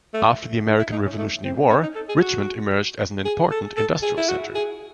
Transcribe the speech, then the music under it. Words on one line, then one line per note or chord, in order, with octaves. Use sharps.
After the American Revolutionary War, Richmond emerged as an important industrial center.
A3
D#4
E4
D#4
C#4
A3
C4
C#4
D#4
A4
G#4
F#4
G#4
A4
A4
G#4
E4
F#4
G#4